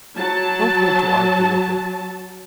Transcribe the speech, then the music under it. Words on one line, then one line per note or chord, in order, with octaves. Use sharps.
Don't wait to argue with him.
F#3 A5